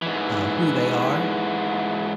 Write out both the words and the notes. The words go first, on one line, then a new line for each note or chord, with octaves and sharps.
uh, who they are,
G#2 E3